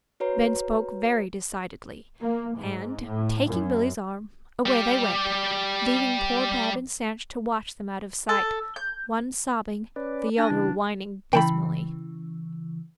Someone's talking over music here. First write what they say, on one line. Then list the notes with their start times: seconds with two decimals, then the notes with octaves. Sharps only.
Ben spoke very decidedly; and, taking Billy's arm, away they went, leaving poor Bab and Sanch to watch them out of sight, one sobbing, the other whining dismally.
0.20 F#4 B4 C#5 A#5
2.21 A#3
2.56 G#2
3.04 A2
3.47 F#2
4.66 G3 G4
8.29 A4
8.76 G6
9.96 C#4 B4 D5
10.38 D4 G#5 A#6
10.51 C#3 E3
11.33 C#3 E3 G5 A5 B5